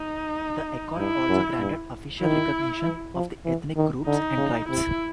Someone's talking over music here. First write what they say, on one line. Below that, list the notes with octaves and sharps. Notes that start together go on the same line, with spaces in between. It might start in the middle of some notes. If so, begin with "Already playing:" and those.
The accord also granted official recognition of the ethnic groups and tribes.
Already playing: D#4
G2 E4
F#2
G2
D#3 E4
E3
F3
E3
D#3
D3 D#4
C#3
C3 E4